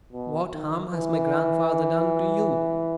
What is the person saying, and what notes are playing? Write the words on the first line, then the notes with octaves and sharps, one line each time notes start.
What harm has my grandfather done to you?
B2
D#3
E3